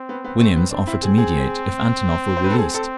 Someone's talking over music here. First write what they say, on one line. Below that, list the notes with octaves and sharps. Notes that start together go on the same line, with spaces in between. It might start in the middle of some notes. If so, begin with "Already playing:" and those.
Williams offered to mediate if Antonov were released.
Already playing: C4
B3
B3
A3
B3
C4 D4
E4
G#4
G#4
C5
B4
A4
C4 G#4
A4